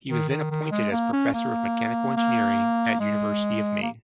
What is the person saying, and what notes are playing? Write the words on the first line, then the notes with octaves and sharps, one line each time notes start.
He was then appointed as Professor of Mechanical Engineering at University of Maine.
D#3
D#3
D#3
G#3
A#3
C#4
A#3
A#3
G#3
A#3